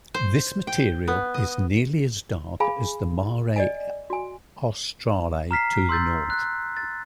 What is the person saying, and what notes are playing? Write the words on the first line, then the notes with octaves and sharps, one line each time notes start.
This material is nearly as dark as the Mare Australe to the north.
C5
G5
B3
D#5
G#4 F5 G#5 B5
D5 D#5 G#5
F#4 G#5
A#5 F6 B6 C7
C6 E6 G6 A6
F#6
A6